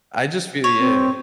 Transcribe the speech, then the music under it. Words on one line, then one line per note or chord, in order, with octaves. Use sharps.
I just feel yeah.
C#5
C4